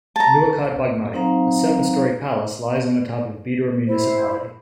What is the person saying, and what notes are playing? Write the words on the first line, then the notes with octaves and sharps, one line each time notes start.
Nuwakot, Bagmati : A seven storey palace lies on the top of Bidur Municipality.
A5 A#5
F#3 C4 D#4 C5 F5 A#5
E4 C5